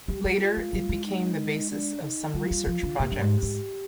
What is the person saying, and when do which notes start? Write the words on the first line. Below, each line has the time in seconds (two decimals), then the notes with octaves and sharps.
Later it became the basis of some research projects.
0.08 G3 G4
0.25 G3
0.40 F4
0.57 G#3
0.73 G3
0.89 G#3
1.05 D#4
1.70 D4
2.02 D#4
2.34 G3 F4
2.51 G3
2.67 F3
2.83 D3
2.99 A#2 G4
3.12 G2
3.21 G#2
3.43 G#2